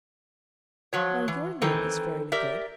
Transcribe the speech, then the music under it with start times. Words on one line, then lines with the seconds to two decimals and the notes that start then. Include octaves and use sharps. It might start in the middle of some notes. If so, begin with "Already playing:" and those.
Now, your name is fairly good.
0.93 F3 F#3 C#5
1.28 E3
1.62 D#3 E3 C4 A4
2.32 G4 A#4 D5 E5